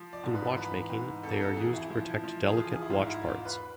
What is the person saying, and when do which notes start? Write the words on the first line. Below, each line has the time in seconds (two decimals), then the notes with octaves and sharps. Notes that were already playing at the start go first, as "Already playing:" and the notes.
In watchmaking they are used to protect delicate watch parts.
Already playing: F3
0.13 D5
0.24 G#2
0.35 B4
0.57 E3 B4
0.90 G#2
1.23 F2 A4
1.41 A4
1.57 E3 G#4
1.74 E4
1.90 F3 E4
2.24 F3
2.47 G#4
2.57 E3 F4
2.73 G#4
2.82 E4
2.90 G#2 F4
3.07 E4
3.23 E2 F4
3.45 B4